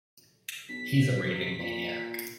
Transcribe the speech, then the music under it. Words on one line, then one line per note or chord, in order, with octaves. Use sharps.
He's a raving maniac.
B1 B6
C3
A#2